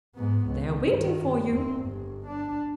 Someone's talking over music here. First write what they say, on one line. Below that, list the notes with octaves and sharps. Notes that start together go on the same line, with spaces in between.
They are waiting for you.
G#2 B3
C#2
G2 D#3
E2 C4
G1 G2
D4